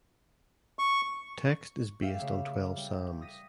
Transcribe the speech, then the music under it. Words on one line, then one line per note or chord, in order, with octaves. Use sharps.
Text is based on twelve psalms.
C#6
G4 E5 F5
C#3 A3
G3
D#6 A#6 B6 D#7